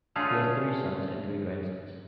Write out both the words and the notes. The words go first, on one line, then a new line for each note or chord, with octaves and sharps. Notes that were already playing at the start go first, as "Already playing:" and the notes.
He has three sons and three grandsons.
D3 A3 C#4 F4 G#4